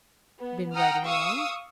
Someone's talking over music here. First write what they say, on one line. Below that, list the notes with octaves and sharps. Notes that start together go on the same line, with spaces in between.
"Been waiting long?"
B3
F#5 G5 A#5 D#6 F6
F5 C#6 D#6 E6